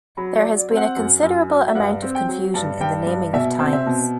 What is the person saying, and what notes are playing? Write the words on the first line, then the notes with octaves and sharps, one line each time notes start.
There has been a considerable amount of confusion in the naming of thymes.
F#3 B5
D5
F#3
D5
C4
F#5
F#2
F#2
F#3
E5
G2 F#5
C4
G5
F#3
G2 A5
G2 G5
G2
B2 E5
C4
E5
B2